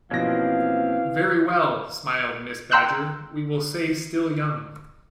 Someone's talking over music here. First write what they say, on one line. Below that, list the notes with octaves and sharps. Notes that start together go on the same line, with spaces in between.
"Very well," smiled Mrs. Badger, "we will say still young."
B2 E3 F3 A#3 C4 C#4 F5 A#6
G5 A#5 C6 E6 F#6 G6